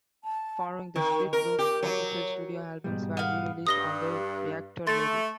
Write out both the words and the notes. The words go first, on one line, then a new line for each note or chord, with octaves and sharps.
Following the split Loop's official studio albums were re-released on their Reactor label.
A5
D#3
A#4
G4
F#3
G#2 B2 G3
B3 F5
G2 D#6 A#6 G7
A3 C6 A6